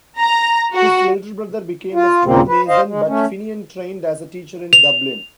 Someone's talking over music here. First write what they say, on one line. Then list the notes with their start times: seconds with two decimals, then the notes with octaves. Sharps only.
His elder brother became a stonemason but Finian trained as a teacher in Dublin.
0.18 A#5
0.75 F#4
1.94 F4
2.25 D#2 A#2 C#3 A#3 C4
2.48 B4
2.68 C5 D#5 F5
2.87 G#3
3.07 A3 C#4
4.73 F7